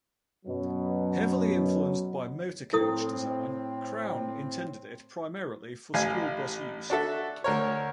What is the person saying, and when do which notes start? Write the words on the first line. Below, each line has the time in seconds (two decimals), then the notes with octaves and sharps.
Heavily influenced by motorcoach design, Crown intended it primarily for school bus use.
0.46 F#2 B2 F#3
2.73 A2 C4 E4 A4 D#6
5.94 A1 F5 G#5
6.90 D4 F#4 A4 E5
7.44 D2 A#4 C#5